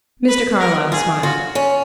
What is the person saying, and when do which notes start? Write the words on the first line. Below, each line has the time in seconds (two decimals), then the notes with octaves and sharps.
Mr. Carlyle smiled.
0.28 B4
0.60 A#4
0.92 F4 G#4
1.23 F4 F#4
1.55 C#4